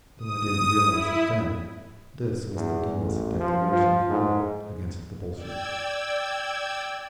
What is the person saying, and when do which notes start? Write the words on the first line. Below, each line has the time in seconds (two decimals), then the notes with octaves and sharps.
Though I didn't realize it then, this was the Duma's declaration of war against the Bolsheviki.
0.18 D#6
0.88 E4
2.56 E2
3.00 A1
3.40 F3
3.72 F3
4.10 G#2
5.35 D5 G5 E6 G#6